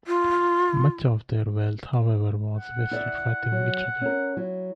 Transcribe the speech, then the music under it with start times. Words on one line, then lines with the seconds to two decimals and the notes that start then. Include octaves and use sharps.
Much of their wealth, however, was wasted fighting each other.
0.07 F4
2.57 F#5
2.91 E4 D5 E5
3.52 F#3
4.01 C#4 A#4
4.37 F#3 E4